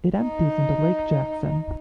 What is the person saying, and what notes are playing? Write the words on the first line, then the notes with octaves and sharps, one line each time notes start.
It empties into Lake Jackson.
D#4